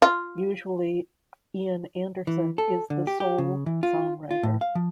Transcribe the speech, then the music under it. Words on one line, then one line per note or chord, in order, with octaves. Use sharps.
Usually Ian Anderson is the sole songwriter.
F4
E3
A4
D3
G4
G4
C#3
E3
F4
F4
A2
F5
F3